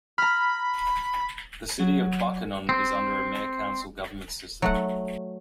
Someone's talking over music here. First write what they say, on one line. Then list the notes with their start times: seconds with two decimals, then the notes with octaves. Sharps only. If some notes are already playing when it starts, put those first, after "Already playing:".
The City of Buckhannon is under a Mayor-council government system.
0.18 A#5 B5 F6
1.79 F#3
2.69 C4
4.62 F#3 A3 F#5